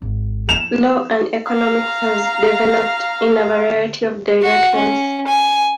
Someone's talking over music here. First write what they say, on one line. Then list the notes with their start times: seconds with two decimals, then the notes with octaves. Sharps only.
Law and economics has developed in a variety of directions.
0.02 G#1
0.49 F3 E4 E7 F7
1.49 F5 A#5
4.42 F#4
4.75 C#4
5.27 G#5